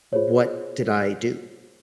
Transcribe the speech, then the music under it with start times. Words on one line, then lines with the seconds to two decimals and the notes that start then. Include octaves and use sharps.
what did I do?
0.13 F4 G#4 C5 C#5